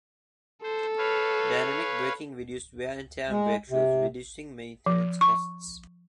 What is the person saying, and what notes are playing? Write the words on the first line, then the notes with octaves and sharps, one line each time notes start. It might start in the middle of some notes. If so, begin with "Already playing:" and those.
Dynamic braking reduced wear and tear on brake shoes, reducing maintenance costs.
A4 C5
B4 C#5 F5
G#3
C3
F3
C#6